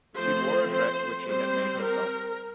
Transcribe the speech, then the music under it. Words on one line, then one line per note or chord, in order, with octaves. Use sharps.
She wore a dress which she had made herself.
F3 A3 C4 C5
C5
G3 C4 C5
A#4